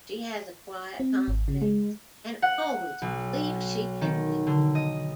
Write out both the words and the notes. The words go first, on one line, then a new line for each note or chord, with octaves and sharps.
She has a quiet confidence and always believes she can do it.
C4
G#1
C#3
G#3
F#5
B1
D#3
D3
D#5